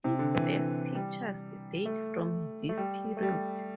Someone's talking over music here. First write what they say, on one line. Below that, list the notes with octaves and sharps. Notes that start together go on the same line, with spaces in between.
His best pictures date from this period.
C3
D3
E3
D3
G3
A3
A3
G3
A3
G3